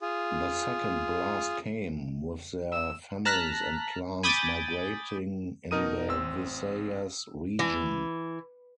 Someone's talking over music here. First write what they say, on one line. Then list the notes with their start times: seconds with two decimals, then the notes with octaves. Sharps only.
The second blast came, with their families and clans migrating in the Visayas region.
0.01 F4 G#4
2.72 E6
3.25 A5 A#5 F6 F#6 A#6 B6
4.23 G#5 B5 D6 D#6 G6 A6
5.71 B2 D#4 A#4 D#6 D#7
6.08 A1 C4 E6
7.59 E3